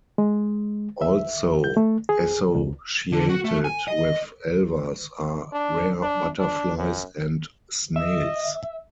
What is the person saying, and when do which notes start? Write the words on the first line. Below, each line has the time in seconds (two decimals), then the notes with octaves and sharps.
Also associated with alvars are rare butterflies and snails.
0.18 G#3
1.01 E5
1.64 G6
1.77 A3
2.09 G#4
2.55 C#2
3.12 D3
3.29 F#4
3.45 A3
3.64 G#5
3.88 D#5
5.53 D4
6.02 D4
6.40 D4
6.77 F#2
7.96 D#5 E5